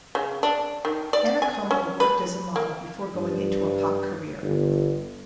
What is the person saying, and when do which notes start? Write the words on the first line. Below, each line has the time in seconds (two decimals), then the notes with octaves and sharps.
Anna Kumble worked as a model before going into a pop career.
0.15 C#3
0.43 D4
0.85 D#3
1.13 D5
1.42 G#5
1.71 C#4
2.00 B4
2.56 A#3
3.15 G2
4.42 G1